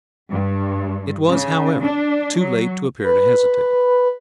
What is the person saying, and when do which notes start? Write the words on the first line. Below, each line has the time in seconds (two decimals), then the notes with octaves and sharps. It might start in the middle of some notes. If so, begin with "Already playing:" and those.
It was, however, too late to appear to hesitate.
0.31 G2
1.30 C#3
1.84 D4
2.37 F#3
3.04 B4